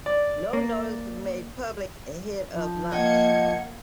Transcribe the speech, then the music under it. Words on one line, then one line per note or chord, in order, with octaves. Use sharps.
No notice was made public ahead of launch.
D5
A#3
F3
A#3 D#5 F#5 G5 G#6 C#7